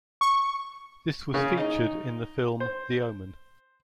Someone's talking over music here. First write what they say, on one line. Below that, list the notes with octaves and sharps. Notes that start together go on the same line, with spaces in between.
This was featured in the film "The Omen".
C#6
C#3
D#4
C5